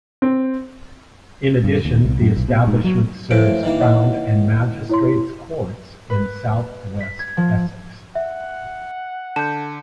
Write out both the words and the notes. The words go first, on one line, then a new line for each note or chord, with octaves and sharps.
In addition the establishment serves Crown and Magistrates' Courts in South West Essex.
C4
G2
D#2
C2
F#2
B1
B2
G#2
F#3
A2 E3 F3 D7
D#3 E3 A#3
C#5 D#5 F#5
E4 C#5 C6
B4
B6
G#6
F3
E5 F#5
D3 A5 G6